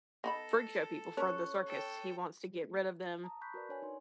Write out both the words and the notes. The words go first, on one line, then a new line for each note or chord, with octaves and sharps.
Freak Show people for the circus. He wants to get rid of them,
B3 D#4 A4 B5 A#6
C#4 A#4 C#5 A5 C#6 F#6
A4 G5
A5 A#5 D#6
A5 B5 C#6 F#6 G6 B6
F#4 A#4 B4 D5
D4 C#5 G#5
D#4 C6